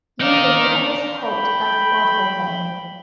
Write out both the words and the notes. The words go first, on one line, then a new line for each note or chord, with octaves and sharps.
Using Thomas Holt as author name.
D#4 A#4 D5 F5
G5 B5